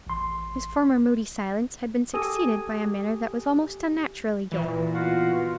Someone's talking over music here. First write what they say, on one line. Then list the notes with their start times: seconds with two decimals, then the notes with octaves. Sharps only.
His former moody silence had been succeeded by a manner that was almost unnaturally gay.
0.07 A1 C6
2.14 G4 A4 G#5 D#6
4.52 A#2 E3
4.94 B2 F4 F#4 F5 F#5